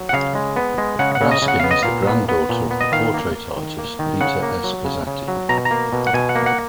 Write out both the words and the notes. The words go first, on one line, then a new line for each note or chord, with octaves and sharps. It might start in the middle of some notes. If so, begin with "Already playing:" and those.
Raskin is the granddaughter of the portrait artist Peter S. Pezzati.
Already playing: F#3
F#5
C#3 F5
G#3
B3
G#3
C#3 F#5
F#5
C#3
D#5
C#3
F#5
B3 F5
D#5
A#2 F5
B3
B3
A#2
B3
D#5
D#3 F5
A#3
A#3
D#3
A#3
D#3
C#3 F#5
A#3
F#3
C#3
C#3
F#3
B2 A#5
A#5
A#3
B2
F#5
B2 G#5
F#5
A#3
F#5